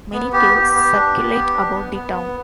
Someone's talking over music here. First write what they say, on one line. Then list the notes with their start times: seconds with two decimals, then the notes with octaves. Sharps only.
Many tales circulate about the town.
0.13 B3
0.32 B3 G4
0.53 B3
0.73 B3
0.93 D4
1.13 B3
1.33 B3
1.54 D4
1.74 B3
1.94 B3
2.14 B3